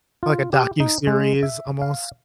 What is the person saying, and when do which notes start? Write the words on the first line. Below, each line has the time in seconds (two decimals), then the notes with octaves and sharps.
Like, a docuseries almost?
0.23 F4
0.53 G4
0.80 D#4
1.07 G#3
1.43 E5
1.82 F5